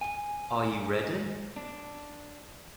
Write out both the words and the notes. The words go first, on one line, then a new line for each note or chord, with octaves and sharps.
Are you ready?
G#5
D4